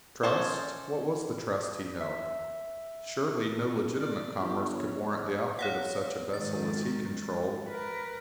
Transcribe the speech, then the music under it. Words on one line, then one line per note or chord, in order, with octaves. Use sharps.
Trust?--what was the trust he held? Surely, no legitimate commerce could warrant the outfit of such a vessel as he controlled.
C#4 A4 C5
E5
D5
G1 G4
C#5
C#5 F5 F#5
G#2 D#3 A6
A#4 B4